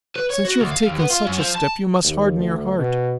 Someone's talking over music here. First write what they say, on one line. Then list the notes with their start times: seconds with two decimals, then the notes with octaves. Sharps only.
Since you have taken such a step, you must harden your heart.
0.16 B4
0.30 C#5
0.45 F#4
0.60 D2
0.72 F5
0.86 D#2
0.99 B3
1.10 F4
1.26 F#2
1.38 F3
1.55 A5
2.03 D#2
2.39 D2
2.78 B2